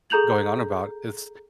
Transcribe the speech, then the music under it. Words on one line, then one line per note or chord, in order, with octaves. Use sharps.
going on about it's
G#4 A4 A#5 G6 F7 F#7